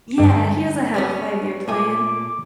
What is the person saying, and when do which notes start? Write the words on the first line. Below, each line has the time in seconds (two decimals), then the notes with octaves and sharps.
Yeah, he doesn't have a five-year-plan.
0.18 D2 G2 G4
0.94 G3 B3 C#4
1.68 A#2 G#5 D6